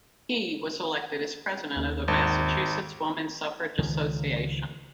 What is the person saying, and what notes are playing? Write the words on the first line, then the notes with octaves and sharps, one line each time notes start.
He was elected as president of the Massachusetts Woman Suffrage Association.
D#2
G#1
C#2 D#3 F3